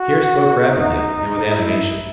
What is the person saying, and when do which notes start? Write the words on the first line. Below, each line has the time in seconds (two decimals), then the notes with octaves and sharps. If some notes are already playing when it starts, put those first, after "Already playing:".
Pierre spoke rapidly and with animation.
Already playing: F#4
0.70 D#4
1.52 E4